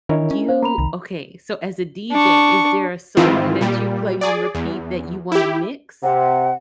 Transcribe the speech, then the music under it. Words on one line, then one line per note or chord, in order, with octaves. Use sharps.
You okay, so as a DJ, is there a song that you play on repeat that you wanna mix?
D#3 D4 E4 A#4 C#5 D#5
C#4
C5 F5
A#3 A#5 B5 F7
C2 D#3
D4 C#6
G#2 D#3 E3 C4 E4 F4
A#2 G3
G#4 D5
E2
E4 G4
C3 F#5